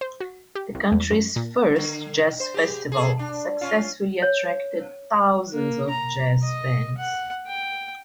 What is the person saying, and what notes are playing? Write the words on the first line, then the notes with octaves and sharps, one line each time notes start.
The country's first jazz festival successfully attracted thousands of jazz fans.
C5
F#4
G4
C2
E2
F#2
A#2
D3
C5
G4 G#4
G#4 A4
D4
C#4 F4
C#5
A#3
A#5
D#5
F#5
G5